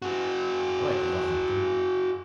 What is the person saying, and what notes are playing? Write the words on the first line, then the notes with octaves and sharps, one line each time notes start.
I like Littlehampton.
F#4 G#4